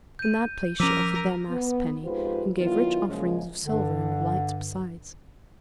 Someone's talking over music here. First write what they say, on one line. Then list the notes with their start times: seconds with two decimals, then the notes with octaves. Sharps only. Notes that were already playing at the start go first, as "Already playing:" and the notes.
In that place she offered their Mass penny, and gave rich offerings of silver and of lights besides.
0.19 G6 D#7
0.80 F3 C#4 A#4 D6 E6 B6 D#7
1.49 B3
2.03 F2 G#2 F4 G4 B4 C5
2.56 D#3 F#3 B3 E4 F4
3.07 F#2 A#2 C#3 F3 G#3
3.64 G2 D3